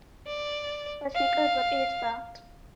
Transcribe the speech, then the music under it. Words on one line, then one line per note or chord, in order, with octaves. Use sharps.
But he could repeat that.
D5
F5